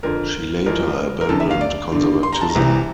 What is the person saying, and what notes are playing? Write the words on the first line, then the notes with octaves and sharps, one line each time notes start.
She later abandoned conservatism.
F2 D3 A#4
F2 E3 A#4
A#4
E2 D3 A4
E5
F5
D5
G2 D3
C6
A#5
A5
A#5
C2 C3 E3